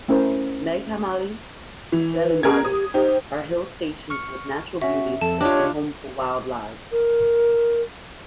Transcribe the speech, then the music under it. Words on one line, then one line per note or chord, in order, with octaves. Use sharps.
Meghamalai, Vellimalai are hill stations with natural beauty and home for wild lives.
A3 C#4 E4 A#4 C5
E3
B4
C#4 G#4 A#4 G#6
G4 D#6
D#4 G4 C5
C#6 F6 C#7
C#4 F#4 E5
F2 A4 A5
D4 F4 G4 C#5 D#5
A#4